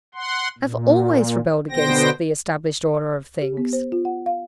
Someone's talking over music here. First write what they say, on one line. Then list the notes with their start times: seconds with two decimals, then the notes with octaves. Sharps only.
I've ALWAYS rebelled against the established order of things.'
0.14 F#5 C6
0.59 A#2
1.71 B2 D3 B3 C5 G5 A#6
3.42 G4
3.57 B3
3.73 C5
3.92 F4
4.05 F#5
4.26 F5